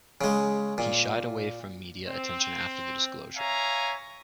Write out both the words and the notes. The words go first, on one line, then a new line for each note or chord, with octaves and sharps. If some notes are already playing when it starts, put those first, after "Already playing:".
He shied away from media attention after the disclosure.
C#3 G#3
A#2
C4
C#5 E5 F5 G#5 A#5